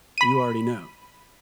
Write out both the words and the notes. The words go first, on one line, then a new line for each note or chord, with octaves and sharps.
You already know,
B5 D#7